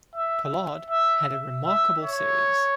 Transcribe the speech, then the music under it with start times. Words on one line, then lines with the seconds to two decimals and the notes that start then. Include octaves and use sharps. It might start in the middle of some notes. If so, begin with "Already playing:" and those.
Pollard had a remarkable series.
0.15 E5
0.90 E5
1.65 E5
2.03 C#5